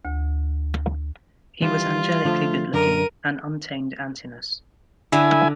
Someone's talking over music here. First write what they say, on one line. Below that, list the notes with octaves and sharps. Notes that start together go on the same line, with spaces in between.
He was angelically good-looking, an untamed Antinous.
D2
E3 G3 F4
D3 F3 A3
F#2 D3 A#4 D#7
D3 E4 G#5